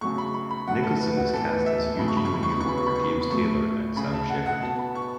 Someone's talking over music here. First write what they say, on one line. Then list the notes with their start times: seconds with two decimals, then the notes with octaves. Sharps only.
Nicholson was cast as Eugene O'Neill over James Taylor and Sam Shepard.
0.01 C#3 F#3 A3 C#6
0.18 B5
0.34 B5
0.51 B5
0.67 A2 F#3 A3 F#5
0.84 A4
1.00 B4
1.17 F#4
1.33 A2 E3 B3 A4
1.50 B4
1.66 E5
1.99 C#3 F#3 A3 B5
2.08 C#6
2.17 B5
2.25 C#6
2.34 B5
2.43 C#6
2.51 B5
2.60 C#6
2.65 C#3 F#3 B3 B5
2.77 C#6
2.86 B5
2.95 C#6
3.04 B5
3.21 B5
3.31 A2 F#3 A3 C#6
3.96 C#3 A3 B5
4.13 A5
4.29 F#5
4.46 F#5
4.62 B2 B3 A5
4.79 B5
4.95 C#6